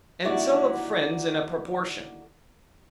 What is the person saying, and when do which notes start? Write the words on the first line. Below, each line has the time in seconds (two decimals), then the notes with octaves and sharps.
And so of friends in a proportion.
0.24 D#2 D3 E4 F#4 A#4 D5